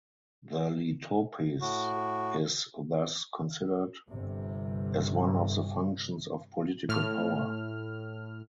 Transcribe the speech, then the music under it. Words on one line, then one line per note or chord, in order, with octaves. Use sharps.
The letopis is thus considered as one of the functions of political power.
A2 F#4
G1 C3
A2 F6